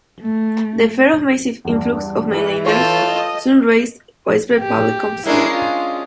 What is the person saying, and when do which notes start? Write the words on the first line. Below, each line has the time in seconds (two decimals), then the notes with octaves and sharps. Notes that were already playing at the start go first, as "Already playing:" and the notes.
The fear of massive influx of mainlanders soon raised widespread public concern.
0.23 A3
1.65 E2 G2
2.30 E3
2.65 F4 A4 C#5 C#6 G6
3.05 D#5
4.59 G4
5.26 G#3 C#4 D4 E4 A#4
5.54 F4